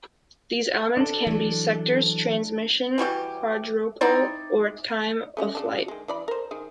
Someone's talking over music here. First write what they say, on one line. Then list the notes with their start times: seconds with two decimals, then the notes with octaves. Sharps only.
These elements can be sectors, transmission quadrupole, or time-of-flight.
0.97 D4 A4
1.27 E3 F#3
2.98 E3 G3 F#4 G4
4.01 C4 D#4 E4 D5
5.37 A3 C#4 G4
5.55 C#3 E3 D4
5.88 D#3 G#3
6.08 E3 D5 B5
6.28 A#4 C5
6.51 D#3 G#4